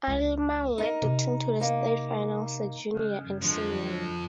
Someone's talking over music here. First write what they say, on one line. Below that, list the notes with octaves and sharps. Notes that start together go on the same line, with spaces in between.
Aylmer led the team to the state finals her junior and senior year.
C#2
D#4 A#4
C3
A#3 D#4
C#3 G#3
F#2 C#3
F2 D3 F3 F#3 G#3